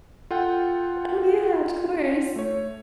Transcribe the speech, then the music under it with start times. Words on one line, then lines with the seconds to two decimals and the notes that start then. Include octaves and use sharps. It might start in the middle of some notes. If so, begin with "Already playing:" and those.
Oh, yeah, of course.
0.31 F4 A4 F#5 G5
2.36 A3 C#5